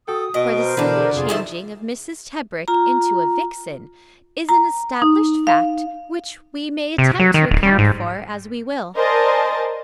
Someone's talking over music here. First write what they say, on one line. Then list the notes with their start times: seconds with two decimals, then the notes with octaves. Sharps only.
For the sudden changing of Mrs. Tebrick into a vixen is an established fact which we may attempt to account for as we will.
0.08 F#4 A4 G5 D#6
0.34 B2 D#5 B6
0.53 A#4 C5
0.77 B2 D3 E3 D4 E4 B4
1.14 F2 C3 F4 G#4
1.29 D#3 F3 D#4 A4 E5
2.68 F4 A#5
4.49 A#5
5.02 D#4
5.47 F5
6.98 C3
7.19 F#3
7.34 D#3
7.51 D1
7.63 G3
7.79 G#2
8.96 A#4 C5 D5 D#5 G#5 A5